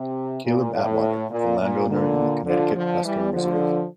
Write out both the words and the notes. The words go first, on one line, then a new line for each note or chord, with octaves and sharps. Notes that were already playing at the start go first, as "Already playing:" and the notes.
Caleb Atwater, a landowner in the Connecticut Western Reserve.
Already playing: C3
A#2
A2
A#2
A#2
A#2 D3
D3 F3
D3 F3
E3 G3
D3 F3